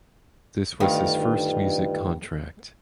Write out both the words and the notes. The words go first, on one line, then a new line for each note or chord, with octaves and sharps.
This was his first music contract.
D2 G2 D#3 F4